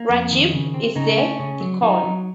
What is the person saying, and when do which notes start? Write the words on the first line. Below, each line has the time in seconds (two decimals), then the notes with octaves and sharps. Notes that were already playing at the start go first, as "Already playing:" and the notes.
Rajib is the deacon.
Already playing: A#3
0.09 F2
0.31 D#3
0.53 C#3
0.74 C4
0.96 C#3 D#4
1.17 A3 C#4
1.39 C#3
1.61 F#3
1.82 F#3 D#4
2.04 F#3